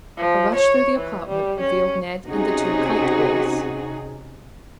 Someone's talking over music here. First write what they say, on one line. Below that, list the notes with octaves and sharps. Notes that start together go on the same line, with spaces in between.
A rush through the apartment revealed Ned and the two kite boys.
F3
C#5
E3
G3
C#4
C3 C#4 D#4 F#4 G#4